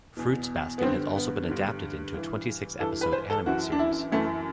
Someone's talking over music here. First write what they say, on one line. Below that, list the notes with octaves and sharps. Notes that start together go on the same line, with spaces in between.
"Fruits Basket" has also been adapted into a twenty-six-episode anime series.
E2 B2
B3
G2 D3 C4
B3
G2 D3
G2 E3
G2 E3 A4
B4
C5
A4
F#2 E3 F#4
D4
E4
F#2 E3 A3